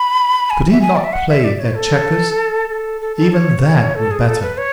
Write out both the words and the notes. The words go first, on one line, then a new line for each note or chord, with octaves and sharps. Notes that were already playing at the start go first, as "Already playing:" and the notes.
Could he not play at chequers? Even that were better.
Already playing: B5
G#5
E5
G#5
D5
E5
F#5
E5
D5
C#5
A4
A4
A4
A4
C#5
A4
G#4
A4
B4
C#5